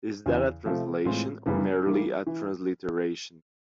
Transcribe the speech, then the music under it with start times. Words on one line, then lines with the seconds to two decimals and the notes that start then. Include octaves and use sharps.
Is that a translation, or merely a transliteration?
0.26 E2 C#3 E3
0.65 C3 F3 A3
1.05 A2 E3 G#3 C4 F4
1.46 F#2 C#3 E3 G3 B3
1.86 E3 G3 A#3
2.27 E3